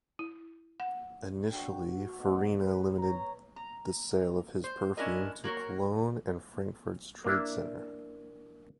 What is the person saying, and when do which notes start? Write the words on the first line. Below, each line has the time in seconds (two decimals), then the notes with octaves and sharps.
Initially, Farina limited the sale of his perfume to Cologne and Frankfurt's trade centre.
0.19 E4
0.80 F#5
1.49 D4 F#4 G5
1.85 F#4
2.19 A3 B3 D#4 B4 F#5
2.57 B4
2.99 B4 C#5 A#5
3.56 A#5
4.64 C5
4.97 C#4 D4 E4 F4 A#4 D#5
5.44 A#3 F#4 A#4 C#5
7.24 A#3 D4 E4